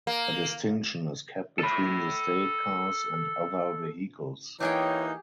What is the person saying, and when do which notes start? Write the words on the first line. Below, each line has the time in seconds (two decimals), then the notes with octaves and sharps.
A distinction is kept between the State Cars and other vehicles.
0.07 A#3
1.59 A4 B5
4.60 E3 A#3 D#4 G4 G#4 C#5 G5